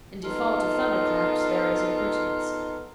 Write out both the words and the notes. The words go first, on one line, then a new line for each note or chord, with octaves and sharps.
In default of thunderclaps there is impertinence.
B3 D#4 F4 A4 A#4